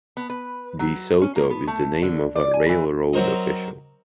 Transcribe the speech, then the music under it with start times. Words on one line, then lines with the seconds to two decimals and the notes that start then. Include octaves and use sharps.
De Soto is the name of a railroad official.
0.17 B3
0.30 B4
0.79 F#3
1.22 C#4
1.36 A#3
1.50 B3
1.67 A3
2.02 D3
2.35 D5
2.54 G#5
2.69 E3
3.13 F#3 C4 A#4 C5 D#5